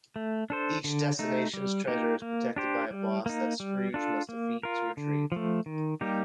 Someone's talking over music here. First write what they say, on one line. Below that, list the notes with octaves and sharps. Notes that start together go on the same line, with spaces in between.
Each destination's treasure is protected by a boss that Scrooge must defeat to retrieve.
A3
D4 A4 C5
D3
A3 D#4
G3
A#3 D#4 G4
A#3
D4 G4 C5
G3
A#3 D#4
G3
D4 F4 A4
A#3
F4 A#4
D3
F3 A3
D#3
G3 A#3 D#4 G4